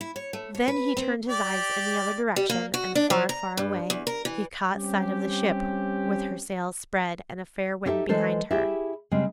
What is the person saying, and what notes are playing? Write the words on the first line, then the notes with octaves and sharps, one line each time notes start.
Then he turned his eyes in the other direction, and, far, far away, he caught sight of the ship with her sails spread, and a fair wind behind her.
E4
C#5
A3
C#5
B4
C4
G4 D5
G3
A#3
F#4
D4
F3
A#5
G2
E2
A#4
E3
G3 C4 C#4 G4
D#4 E4 G4 A4 E5
E3 G#3 E4 A4 B4 C5
E4 G4 G#4 E5
C#3 G3 G#3 C4